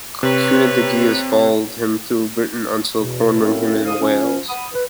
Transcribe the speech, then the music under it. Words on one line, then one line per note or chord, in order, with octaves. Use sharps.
Cunedagius followed him throughout Britain until cornering him in Wales.
C3 B4 C#5
E2 B2
F#3 A3 A#3 C4 C#4 E4
C2 D3 C5 F5 D#6
F3 C#4
F#5 B5 D#6
B4